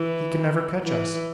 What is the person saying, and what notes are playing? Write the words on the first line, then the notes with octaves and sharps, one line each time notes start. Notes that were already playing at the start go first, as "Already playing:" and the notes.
He can never catch us.
Already playing: E3
E3